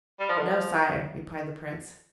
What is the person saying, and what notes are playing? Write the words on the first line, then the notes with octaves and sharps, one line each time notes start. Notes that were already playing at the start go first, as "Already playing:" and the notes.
'No, sire,' replied the Prince.
G3
F3
D3
F3